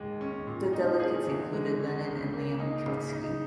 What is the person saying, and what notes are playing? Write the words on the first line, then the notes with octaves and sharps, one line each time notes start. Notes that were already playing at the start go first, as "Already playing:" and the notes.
The delegates included Lenin and Leon Trotsky.
Already playing: D#2 G#3
C#4
A#2
D#4
G#4
E2
G#3
C#4
C#2
A#3
D#4
C#3
D#4